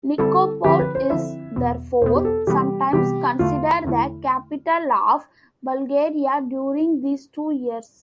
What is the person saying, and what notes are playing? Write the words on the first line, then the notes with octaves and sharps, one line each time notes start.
Nikopol is therefore sometimes considered the capital of Bulgaria during these two years.
D3 G3 C4 E4 A4
D3 F3 C4 E4 G4
B4
C5
D3 F3 C4 E4 E5
E2 B2 B3
E2 B2 B3 C5
G4
A4
C3 E3 G3 B3 G4
C3 E3 G3 B3 G4
E2 D3 A3 E4 F4
E2 D3 A3 E4